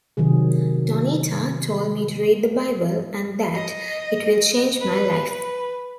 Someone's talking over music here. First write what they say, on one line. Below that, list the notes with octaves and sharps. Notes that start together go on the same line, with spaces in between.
Donita told me to read the Bible and that it will change my life.
C3 D#3 F#3 G#4
D#5
B4
B4